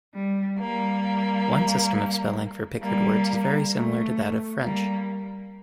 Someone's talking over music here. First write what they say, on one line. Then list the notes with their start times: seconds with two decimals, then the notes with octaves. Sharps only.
One system of spelling for Picard words is very similar to that of French.
0.14 G3
0.59 G3 A#3
2.84 G3 A#3
3.73 A3
4.63 G3 A#3